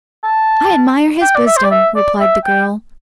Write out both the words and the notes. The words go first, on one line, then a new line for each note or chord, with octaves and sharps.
"I admire his wisdom," replied the girl.
A5
G5
D5
E5
C5
D5
E5
D5
E5
G5